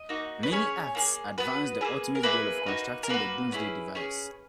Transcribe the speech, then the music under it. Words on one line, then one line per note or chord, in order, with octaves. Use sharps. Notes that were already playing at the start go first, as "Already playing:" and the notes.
Many Acts advance the ultimate goal of constructing the doomsday device.
Already playing: D#5
A#3 D#4 F#4
B4
C#4 G#4 C#5
A#3 E4 G#4
B3 F#4 B4
A#3 E4 G#4
A#4
A#3 E4 G#4 B4
A#3 D#4 F#4
A#4
A#3 D#4 F#4 B4
C#4 E4 G#4
C#4 G#4